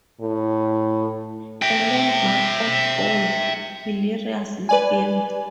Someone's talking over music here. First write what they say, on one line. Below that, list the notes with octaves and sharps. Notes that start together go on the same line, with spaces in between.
A landmark of bold, hilarious filth.
A2
E5 G5
B4 D5 G#5